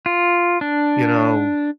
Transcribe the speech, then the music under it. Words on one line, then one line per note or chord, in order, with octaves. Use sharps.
you know,
F4
D4